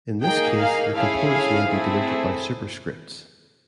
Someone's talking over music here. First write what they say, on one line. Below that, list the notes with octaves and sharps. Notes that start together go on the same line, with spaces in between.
In this case, the components may be denoted by superscripts.
A#3 D#4 G#4 G5
F5
A3 C#4 E4 G#4 F5
F5
A3 C4 E4 G#4